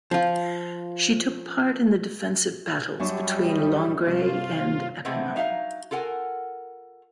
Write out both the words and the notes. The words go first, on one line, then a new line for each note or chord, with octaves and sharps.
She took part in the defensive battles between Langres and Epinal.
F3 F4
F#2 G3 D4 C#6
D#5
G2 C3 F4
C3 E3 G#3 A3 B3 C4
F#3 D#4 E5 F5
F4 A4 A#4 F#5 G#5